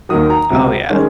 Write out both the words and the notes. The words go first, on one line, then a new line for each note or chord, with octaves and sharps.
Oh, yeah.
D#2 D#3 F#3 D#6
A#5
C#2 C3 F#3 C4
D#3 G#3 C#4